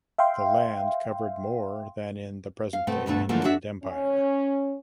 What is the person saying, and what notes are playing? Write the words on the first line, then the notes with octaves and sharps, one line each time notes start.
The land covered more than in the present day Inland Empire.
E5 F5 G5 C6
F5
B2 A3 C4
D2 G2 B2 A3
D3 E3 F3 A3 A#3
D4 F#4 E5
C#4